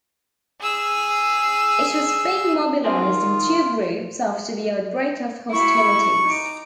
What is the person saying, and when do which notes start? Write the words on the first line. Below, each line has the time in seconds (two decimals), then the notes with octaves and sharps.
It was being mobilized in two groups after the outbreak of hostilities.
0.61 G#4 E6
2.84 C4 D4 F4 G#4
3.01 D#3
5.53 E4 F#4 C#6
6.25 D#4 D6